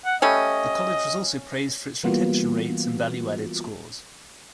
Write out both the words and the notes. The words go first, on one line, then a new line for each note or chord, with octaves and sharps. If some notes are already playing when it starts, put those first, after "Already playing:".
The College was also praised for its retention rates and value-added scores.
F#5
G3 A3 C#4 D#5
E3 G3 A#3 B3 F4 F#4